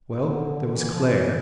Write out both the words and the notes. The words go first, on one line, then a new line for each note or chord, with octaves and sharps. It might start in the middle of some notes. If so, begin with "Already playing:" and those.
Well, there was Clare.
D3
D3
E3
F3
E3